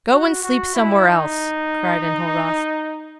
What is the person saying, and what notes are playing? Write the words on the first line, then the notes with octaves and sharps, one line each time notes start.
"Go and sleep somewhere else," cried Enjolras.
F#4
F#4
E4
D#4